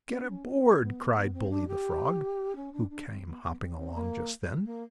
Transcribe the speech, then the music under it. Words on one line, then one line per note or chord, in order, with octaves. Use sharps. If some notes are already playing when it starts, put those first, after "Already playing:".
"Get a board!" cried Bully, the frog, who came hopping along just then.
C4
D4
C#4
C4
B3
B3
C4
D4
G4
C#4
D4
D4
C4
B3
B3
C4
C4
A#3
A#3